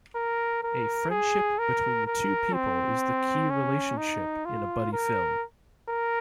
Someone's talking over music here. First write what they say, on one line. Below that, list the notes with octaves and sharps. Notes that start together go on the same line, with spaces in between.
A friendship between the two people is the key relationship in a buddy film.
A#4
A#4
G#4
A#4
A#4
C4
C#4
D#4
F4
A#4
A#4